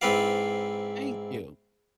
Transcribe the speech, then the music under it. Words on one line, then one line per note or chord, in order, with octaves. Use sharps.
Thank you.
G#2 C4 E4 B4 D5 F5